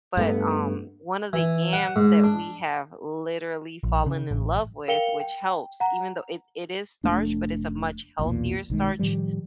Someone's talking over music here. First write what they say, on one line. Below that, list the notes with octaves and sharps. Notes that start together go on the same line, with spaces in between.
but, um, one of the yams that we have literally fallen in love with which helps even though it it is starch, but it's a much healthier starch,
G2 A3 B3
E3
F#5
G#2
D4
A#1
C#3
A1
A#4 F5 G5 C#7 F7 G7
G5
F#5 A#5
F1 A2 A3 D4
B1 E2 A#2
B1 D#3 G#3
A2 D#3 F3 G3